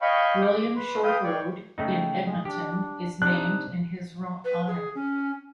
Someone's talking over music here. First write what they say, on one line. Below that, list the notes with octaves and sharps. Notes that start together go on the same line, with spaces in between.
William Short Road in Edmonton is named in his honour.
C#5 D#5 F5 G5 B5 C#6
D6
B4 C6
B4 F5 G5 D#6 G6
C#5 D5 G5
C#3 A3 D#4 G5
G#3
D4 G4
C3 D4 D#4 F#6
B4
G#4
C#4